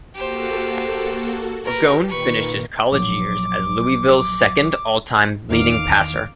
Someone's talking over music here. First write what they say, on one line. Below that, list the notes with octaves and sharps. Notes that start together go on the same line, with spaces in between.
Ragone finished his college years as Louisville's second all-time leading passer.
A#3 F#4 G4 A4 C5
G4 A#4 B4
A#2 D#3 B4 C#6
A#1 F#3 D6
E2 D#3 F5 D6 F6